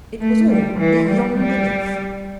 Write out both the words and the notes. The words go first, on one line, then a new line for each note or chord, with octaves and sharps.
It was all beyond belief!
A3
G3
E3
G3
G3